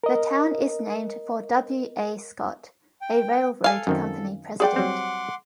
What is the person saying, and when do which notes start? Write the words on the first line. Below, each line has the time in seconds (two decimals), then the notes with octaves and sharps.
The town is named for W. A. Scott, a railroad company president.
0.04 A#4 D#5
3.01 G5
3.64 A4 F5 G#5
3.87 F#2 D#3 C4
4.60 G#4 D5 F#5 G5 C6 D6
4.76 F#3 G3 C4